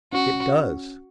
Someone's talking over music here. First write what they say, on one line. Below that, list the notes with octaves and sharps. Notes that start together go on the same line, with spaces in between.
"It does."
C#4 F#4